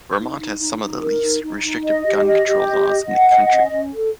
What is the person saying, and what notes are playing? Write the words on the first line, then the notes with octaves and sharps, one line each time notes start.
Vermont has some of the least restrictive gun control laws in the country.
D#4
D#4
D#4
D#4
A#4
D#4
D#4
D#4
D#5
G4
D#5
G4
D#5
D#5
F#5
D#5
C#4
C#4
A4